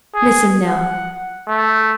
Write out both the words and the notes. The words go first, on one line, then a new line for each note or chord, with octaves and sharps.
Listen now.
G#4
F#5
A3